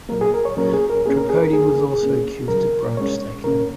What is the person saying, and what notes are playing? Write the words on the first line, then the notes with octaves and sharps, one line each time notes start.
Tripodi was also accused of branch stacking.
A#2 F#3 A#3 A#4
G#4
A#4
C#5
A#2 F#3 A#3 C#4 A#4
G#4
A#4
A#2 A#3 C#4 G#4
A#4
G#4
A#4
F#2 D#3 A#3 G#4
A#2 A#3 C#4
D#2 C#3 F#3 A#4
A#2 G#3 C#4 C#5
F#2 C#3 A#3 C#4 A#4